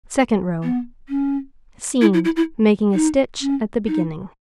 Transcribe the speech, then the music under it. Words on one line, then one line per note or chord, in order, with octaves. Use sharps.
Second row:--Seamed, making a stitch at the beginning.
B3
C#4
E4
E4
E4
E4
D#4
C#4
D#4